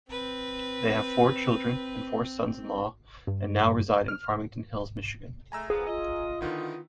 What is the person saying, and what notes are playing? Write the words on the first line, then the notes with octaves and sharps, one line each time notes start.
They have four children and four sons-in-law and now reside in Farmington Hills, Michigan.
C4 B4
G2
F6
G#3 A3 G#5 A#5 E6
D3 F3 B3 G#4
F4 D#5
D3 D#3 B3 D#4 E4